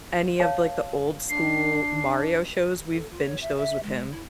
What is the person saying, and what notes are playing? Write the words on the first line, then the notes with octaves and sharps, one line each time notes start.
any of, like, the old school Mario shows, we've binged those with him.
C#5 F5 A5
D4 C7
A4
F4
C#5
E5
E5
G#3
E4